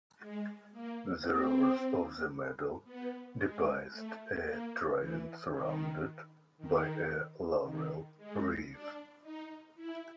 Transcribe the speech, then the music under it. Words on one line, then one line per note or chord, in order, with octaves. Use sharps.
The reverse of the medal depicts a trident surrounded by a laurel wreath.
G#3
A#3
C4
B3
G#3
A3
A#3
E3
D#3
D#3
D#3
G#3
D4
D#4
E4